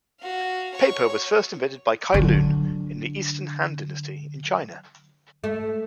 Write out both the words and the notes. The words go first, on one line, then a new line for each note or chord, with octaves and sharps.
Paper was first invented by Cai Lun in the Eastern Han Dynasty in China.
F#4 F5
C#5 C#6
D3 F#3
A3